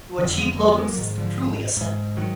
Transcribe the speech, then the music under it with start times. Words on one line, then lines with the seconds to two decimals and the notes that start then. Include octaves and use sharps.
To achieve logos is to truly ascend.
0.18 D3 D#3
0.22 F2
0.34 F#3
0.38 F3 G#3
0.57 F#3 A#3
0.68 G#3 B3
0.78 G#3 B3
0.88 F#3 A#3
0.97 G#2 D#3
1.17 D3 F3
1.77 G#2
2.17 D#3 F#3